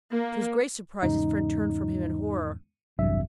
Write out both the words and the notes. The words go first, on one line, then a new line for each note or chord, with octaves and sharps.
To his great surprise his friend turned from him in horror.
A#3
E2 G#2 C#3 D#4
A1 E2 G2 C3 F#3 E5